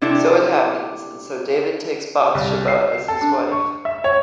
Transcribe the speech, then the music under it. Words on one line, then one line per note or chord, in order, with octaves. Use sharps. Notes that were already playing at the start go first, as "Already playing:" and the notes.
So it happens, and so David takes Bath-sheba as his wife.
C3 D4 E4 A4 G5
C2
C7
A4
D4
C#6
E5
C#5